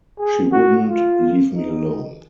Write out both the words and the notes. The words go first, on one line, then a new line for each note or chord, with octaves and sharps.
She wouldn't leave me alone.
G#4
F#4
F4
D#4